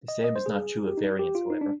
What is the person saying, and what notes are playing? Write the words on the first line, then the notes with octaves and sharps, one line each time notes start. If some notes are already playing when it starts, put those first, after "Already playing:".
The same is not true of variance, however.
D#5
D#5
C5
G#4
G4
D#4
G4
F4
D#4
D4